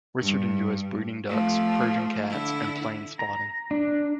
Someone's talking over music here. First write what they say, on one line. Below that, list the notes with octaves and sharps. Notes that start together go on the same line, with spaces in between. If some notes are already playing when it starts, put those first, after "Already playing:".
Richard enjoys breeding ducks, Persian Cats and plane spotting.
G2
F3 A3
D3 E4
A#5
D4